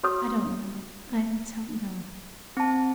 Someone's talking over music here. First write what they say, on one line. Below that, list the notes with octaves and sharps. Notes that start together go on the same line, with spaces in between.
"I don't know, I don't know."
F#4 C#5 D#6
C4 A5